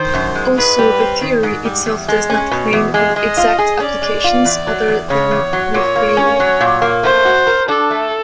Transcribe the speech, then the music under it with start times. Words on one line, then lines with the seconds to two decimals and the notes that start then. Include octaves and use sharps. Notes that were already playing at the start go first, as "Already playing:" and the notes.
Also, the theory itself does not claim and exact applications other than "reframing".
Already playing: D#3 C5
0.14 F#2
0.35 G#3
0.57 G#2 B4
0.79 G3
1.00 C4
1.21 D#3
1.43 G#2
1.65 G3
1.86 E2
2.08 G#3
2.30 C#4
2.51 B2
2.73 E2
2.94 G#3
3.16 G#3 D#5
3.37 F4
3.59 G#4
3.80 C#4 D5
4.02 G#3
4.24 F4
4.45 E2
4.67 F#3
4.88 E2
5.09 C#3 C#5
5.31 E2
5.53 F#3
5.74 A#2 C#5
5.96 A#3
6.17 C#4
6.40 F#3
6.61 A#2
6.82 A#3
7.03 A3 C5
7.25 F#4
7.47 A#4
7.68 D4 A4
7.90 A3